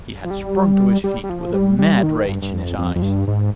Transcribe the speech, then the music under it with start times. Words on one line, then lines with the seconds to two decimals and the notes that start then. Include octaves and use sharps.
He had sprung to his feet with a mad rage in his eyes.
0.24 F3
0.30 G3
1.04 G3
1.24 G3
1.29 F3
1.54 G3
1.79 G3
2.03 D#3
2.29 G2
2.42 G2
2.53 F2
2.78 F2
2.96 F2
3.02 G2
3.28 G#2